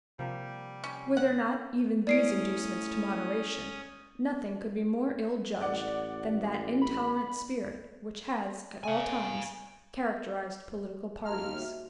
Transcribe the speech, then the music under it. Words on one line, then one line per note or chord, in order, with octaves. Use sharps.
Were there not even these inducements to moderation, nothing could be more ill-judged than that intolerant spirit which has, at all times, characterized political parties.
C3 F3 G3 A#3
C#4
F#5
A2 C#4 D5 D#6 C7 D7
A1 D5 F#5
B5
F5 G#5
D#2 A5 A#5 C6 F6
F#4 E5